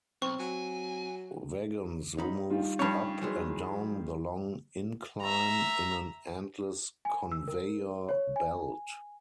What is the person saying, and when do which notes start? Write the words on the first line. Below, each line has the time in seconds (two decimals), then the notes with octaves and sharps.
Wagons moved up and down the long incline in an endless conveyor belt.
0.22 B1 C4 C#6
0.40 F#3 G#5
2.17 C#2 D#4 B5
2.50 D#3 G3 F4
2.79 G2 C#4 C#5
3.21 E3 F#3 G#3
5.22 E5 A#5
7.05 G#5
7.32 E6
7.48 A#4
8.09 C#5
8.36 G#5